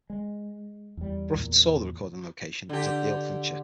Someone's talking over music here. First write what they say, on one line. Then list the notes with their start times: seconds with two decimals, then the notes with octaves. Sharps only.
Bruford saw the recording location as "a deal clincher".
0.10 G#3
0.97 E2 G3
1.35 E2 A#2 A#3
2.69 D3 G4